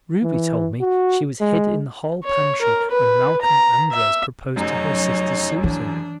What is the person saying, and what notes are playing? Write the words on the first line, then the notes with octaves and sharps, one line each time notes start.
Ruby told me she was hid in the hall pantry when Malcolm Andres proposed to her sister Susan.
E3
F#4
G#3
C#5
A#4
B4
A#5
E5
F1 F#2 F#3 D#4 C#5
E3 D4